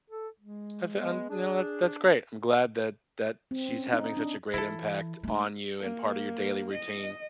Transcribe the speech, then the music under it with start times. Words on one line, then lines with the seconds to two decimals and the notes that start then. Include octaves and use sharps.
I feel, um, no, that's that's great, I'm glad that that she's having such a great impact on you and part of your daily routine,
0.10 A4
0.40 G#3
0.98 G#3 B3
1.29 D4 G#4
3.51 C4
3.69 C#4
3.93 D#4
4.17 D4
4.54 E3 E4 A4
5.23 A3 D#4
5.80 A#3
6.72 D#5